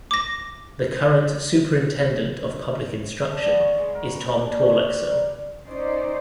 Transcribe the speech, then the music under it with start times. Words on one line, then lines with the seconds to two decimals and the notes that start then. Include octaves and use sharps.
The current Superintendent of Public Instruction is Tom Torlakson.
0.11 D6 A#6
3.32 D4
3.46 B3
3.60 C#5
3.77 G#3
3.95 A#4
4.11 B4
4.31 G4
4.45 D4
4.62 C#5
4.75 D6
4.95 G3
5.10 A#5
5.63 C#4 D#4 C5 D5